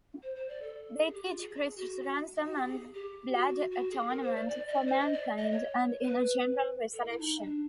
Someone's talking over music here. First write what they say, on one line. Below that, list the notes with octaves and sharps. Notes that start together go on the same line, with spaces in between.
They teach Christ's ransom and blood atonement for mankind, and in a general resurrection.
C5
C5
D5
A4
G#4
G4
F4
G#4
F#4
F#4
G4
G#4
G4
F#4
F#4
G#4
A#4
C5
D5
D5
D#5
D5
C5
D#5
D5
D#5
C#5
B4
A4
E4
D#4
D4